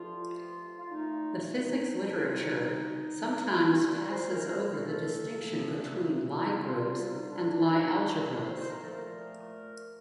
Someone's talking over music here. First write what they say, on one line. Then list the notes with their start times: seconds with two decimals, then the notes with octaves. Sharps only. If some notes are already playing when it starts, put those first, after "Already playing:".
The physics literature sometimes passes over the distinction between Lie groups and Lie algebras.
Already playing: G2 F3 A3 F4
0.33 F4
0.78 F4
0.89 A#2 A3 D#4
1.46 D#4
2.02 C3 D#3 G3 D4
2.23 F4
2.30 D#4
3.15 G2 D#3 G3
3.62 D4
3.71 D#4
3.90 F4
4.08 C5
4.27 A#2 A3 A#4
4.46 C5
4.65 A#4
4.83 A4
5.40 A#2 F3 A3
6.41 D#4
6.52 F2 D3 G3 F4
6.98 F4
7.09 D#4
7.28 D4
7.46 D4
7.56 F4
7.65 F2 D#3 G3 D#4
8.21 D5
8.40 C5
8.59 C5
8.69 A#4
8.78 A#2 F3 A3 A4
8.91 A#4